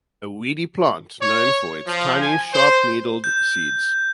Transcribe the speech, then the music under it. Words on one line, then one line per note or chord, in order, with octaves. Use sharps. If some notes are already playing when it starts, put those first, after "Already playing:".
A weedy plant known for its tiny sharp-needled seeds.
C#5
F3
G#5
C5
G6